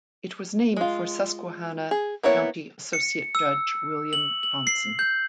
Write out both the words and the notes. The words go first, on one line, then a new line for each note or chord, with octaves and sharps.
It was named for Susquehanna County associate judge William Thompson.
G#3 F4
G#4
A#3 B3 E4 C#5
C#7
E6
F#7
F#7
C7
G6